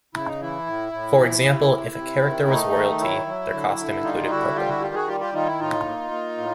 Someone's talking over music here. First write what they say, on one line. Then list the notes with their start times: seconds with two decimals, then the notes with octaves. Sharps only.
For example, if a character was royalty, their costume included purple.
0.15 C#3 E4
0.27 D#4
0.41 E3 E4
0.66 A2
0.92 A2
1.19 E3
1.44 C3
1.71 C3
1.96 C3
2.22 D#3
2.48 A3 D#4
2.74 D#3
3.00 F#3 E4
3.26 F#3
3.52 D3
3.78 D3
4.04 G3 D#4 F4
4.30 D3 E4 F#4
4.55 G3 F4 G4
4.68 E4 F#4
4.82 D#3 F4 G4
4.94 F#4 G#4
5.08 G3 F4 G4
5.20 F4 G4
5.33 D#3 D#4 F4
5.47 E4
5.59 A2 D#4 F4
5.85 A#3
6.11 A#3
6.38 A2